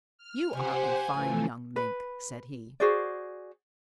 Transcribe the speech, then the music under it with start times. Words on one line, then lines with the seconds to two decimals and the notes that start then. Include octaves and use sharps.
"You are a fine young Mink," said he.
0.18 F6
0.53 C3 F3 G4 C5 F#5 G#5
1.14 A2 E3 F3 A3
1.76 B4
2.80 F#4 G#4 C5 D5